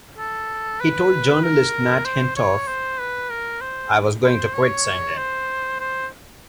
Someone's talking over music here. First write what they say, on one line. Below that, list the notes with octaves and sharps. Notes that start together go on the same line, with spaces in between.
He told journalist Nat Hentoff: I was going to quit singing.
A4
B4
A#4
C5
C#5
C5
B4
A#4
C5
C5
C#5
C5
C5